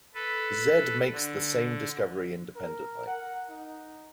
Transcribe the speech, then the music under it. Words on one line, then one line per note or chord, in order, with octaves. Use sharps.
Zedd makes the same discovery independently.
A4 B4
D3
A#4
F#5
D#4